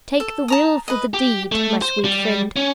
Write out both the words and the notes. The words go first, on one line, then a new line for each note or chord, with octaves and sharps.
Take the will for the deed, my sweet friend.
A4
A5 A#5 D#6
B4 D#5
G4
A3
C5
G3
C#4